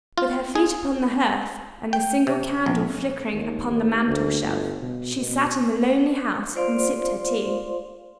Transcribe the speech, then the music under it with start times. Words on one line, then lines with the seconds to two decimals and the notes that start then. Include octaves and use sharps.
With her feet upon the hearth and the single candle flickering upon the mantel shelf, she sat in the lonely house and sipped her tea.
0.18 F4
0.55 G#4
1.93 G5
2.27 C3
2.66 A#1
3.32 D#2
3.70 D#2
4.08 D2
4.43 G1
4.82 B2
5.16 B2
6.54 F4 C5 D5 F5 C6